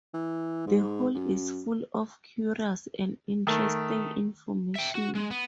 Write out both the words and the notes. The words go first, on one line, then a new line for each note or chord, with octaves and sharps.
The whole is full of curious and interesting information.
E3
G#2
F#2
D#3 A3
E5 G5
F#4
G#3
B3